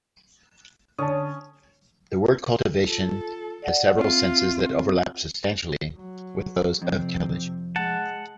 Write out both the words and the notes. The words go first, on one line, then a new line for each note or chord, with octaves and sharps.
The word "cultivation" has several senses that overlap substantially with those of "tillage".
D3 C#4 A5 D#6
F4 A4
D5 F#5
C4 F4 E5
F#3
F2 C3 C4
G#3 F#5 A5